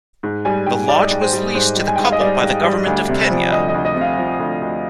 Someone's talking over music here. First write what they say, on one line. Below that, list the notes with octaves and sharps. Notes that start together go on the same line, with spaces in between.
The lodge was leased to the couple by the government of Kenya.
G#2
G3 G#5
G#2 G5
G3 D5
D#5
G#2 D5
C5
G3
G#2 C5
G3
G#5
G#2 G5
F5
D#5
G3 D5
G#2
G3
D2
C3
F3
D2 D#5
D#5
D2
D#5
C3
F5
F3
D2
D2